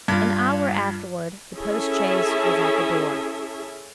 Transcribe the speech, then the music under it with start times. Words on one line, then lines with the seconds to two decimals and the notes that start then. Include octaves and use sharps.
An hour afterward the post-chaise was at the door.
0.08 G2 F4
1.56 C#4 E4 G#4 A4 E5